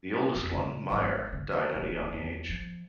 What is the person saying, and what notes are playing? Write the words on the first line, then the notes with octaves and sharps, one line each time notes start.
The oldest one, Maier, died at a young age.
F2
C#3
G#1
D3
D1
E2
F3